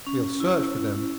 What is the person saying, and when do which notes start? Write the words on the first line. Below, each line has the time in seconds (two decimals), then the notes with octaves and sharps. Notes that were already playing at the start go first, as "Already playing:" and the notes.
We'll search for them.
0.06 C#4
0.40 E4